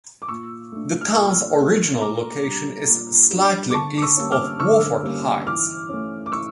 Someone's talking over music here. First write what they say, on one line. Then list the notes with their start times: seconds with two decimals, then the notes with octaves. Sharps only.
The town's original location is slightly east of Wofford Heights.
0.22 D6
0.28 A#2 C#6 E6
0.72 A3 D4
1.01 F6
1.15 A#2 C#6 E6
1.58 A3 D4
2.01 A#2 A#5 D6
2.45 G3 D4
2.88 A#2
3.31 G3 D4
3.70 D6
3.74 D3 A5 C#6
3.97 D6
4.02 C#6 E6
4.17 G3 A#3 C#4
4.31 D6 F6
4.60 D3 C#6 E6
5.03 G3 A#3 C#4
5.47 E3 D6 F6
5.89 A3 C#4
6.26 D6
6.32 E3 C#6 E6